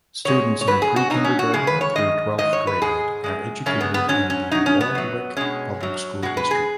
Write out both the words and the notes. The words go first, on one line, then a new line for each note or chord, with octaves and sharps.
Students in pre-kindergarten through twelfth grade are educated in the Waldwick Public School District.
B2 G#3 C#5
C#5
G#2 F#3 B4
G#4
F#4
B2 F#3 D#4
C#4
F#4
F#2 C#3 G#3 G#4
B4
C#5
F#2 D#3 G#3 D#5
G#2 D#3 F#3 D#5
C#5
B4
G#2 G#3 G#4
F#2 C#3 G#3
F#2 C#3 G#3 C#4
B3
B3
G#2 F#3 C#4
C#4
B2 F#3 D#4
C#4
B3
F#2 F#3
B2 G#3 C#4
F#2 F#3
B2 G#3 F#4
B4
G#4